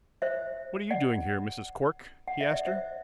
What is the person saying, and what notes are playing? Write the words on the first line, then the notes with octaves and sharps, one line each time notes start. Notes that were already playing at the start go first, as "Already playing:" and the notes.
"What are you doing here, Mrs. Cork?" he asked her.
C5 E5
D5 F#5
F#5
E5
D5
C5 E5